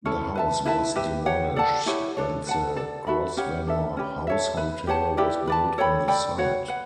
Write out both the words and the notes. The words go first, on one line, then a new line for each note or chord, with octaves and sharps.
The house was demolished and the Grosvenor House Hotel was built on the site.
C#4 E4 A4 C#5
B4 E5 A5
E4 B4 E5 A5
G4 B4 E5
G4 C#5 F#5
A4 D5 F#5 A5
E4 G4 C#5 F#5
D4 A4 C#5
B4 F#5 A5
A4 D5 A5
F#4 A4 E5 B5
C#4 G4 C#5 F#5
D4 A4 E5
C#4 G4 B4
A4 C#5 E5
B4 E5 B5
G4 C#5 F#5 A5
E4 G4 B4 D5
B4 D5 A5
A4 C#5 G5 B5
A4 D5 G5 B5
F#4 C#5 F#5
B4 F#5